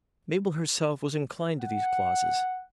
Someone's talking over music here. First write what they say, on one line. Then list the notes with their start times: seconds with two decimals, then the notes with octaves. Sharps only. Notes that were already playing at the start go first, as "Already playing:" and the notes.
Mabel herself was inclined to these clauses.
1.60 F#5